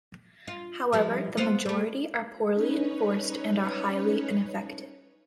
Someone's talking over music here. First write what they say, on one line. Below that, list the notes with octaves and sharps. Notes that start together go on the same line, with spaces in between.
However, the majority are poorly enforced and are highly ineffective.
F4
F3 G3 E4
B3 F4 C5
G3 A3
C#4 D#4 B4 C#5